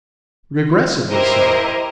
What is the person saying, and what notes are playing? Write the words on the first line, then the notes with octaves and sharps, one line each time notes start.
Repressively so.
E4 G4 A#4 C5 D#5